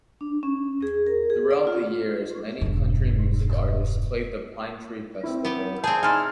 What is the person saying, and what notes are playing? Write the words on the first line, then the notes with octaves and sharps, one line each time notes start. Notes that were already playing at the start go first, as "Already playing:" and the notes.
Throughout the years many country music artists played the Pine Tree Festival.
D4
C#4
G#4
A#4
G#4
D5
F4
E1 G2
C4 E4
B3 G4
C4 G#4 A5 G6
D#4 E4 G#5 C6 F6 A6